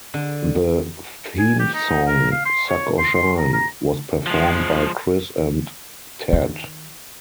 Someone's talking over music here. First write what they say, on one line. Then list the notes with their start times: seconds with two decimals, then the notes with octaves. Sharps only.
The theme song, "Suk or Shine," was performed by Chris and Tad.
0.14 D3
1.39 G#5
1.59 G4
1.74 D#4
2.07 A#4
2.31 F5
2.45 C6
2.69 C#5
2.99 C6
3.15 C6
3.38 A#5
3.53 A#5
4.27 F3 G#3
6.33 D#3